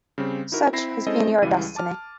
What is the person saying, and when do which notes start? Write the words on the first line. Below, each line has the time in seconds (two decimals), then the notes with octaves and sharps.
Such has been your destiny.
0.18 C#3 G3 C4
0.52 D#4 E4 F#4 A#4
0.73 C4 E4 B5 A#6 C7
1.07 G#3 C4 C#4 E4 A4 D#5
1.42 C#2 E3 G3 E4 F5 D#7
1.76 A5 D6 F6